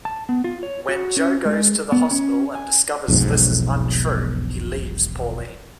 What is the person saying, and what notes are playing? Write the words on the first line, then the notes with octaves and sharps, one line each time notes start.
When Joe goes to the hospital and discovers this is untrue, he leaves Pauline.
A5
B3
F4
C#5
F#4
C#4
G#3
B3
C#4
G#5
E1 B1 F2 G#2